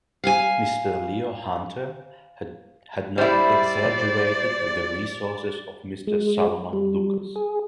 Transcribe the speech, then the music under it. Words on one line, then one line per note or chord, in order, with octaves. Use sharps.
Mr. Leo Hunter had not exaggerated the resources of Mr. Solomon Lucas.
F5 G5 G#5
G3 E4 C5 D5
G#3
G3
G#4